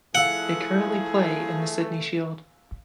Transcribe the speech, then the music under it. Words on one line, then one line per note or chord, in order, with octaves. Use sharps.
They currently play in the Sydney Shield.
F3 A3 E4 G#4 F5 F#5 E6 F#6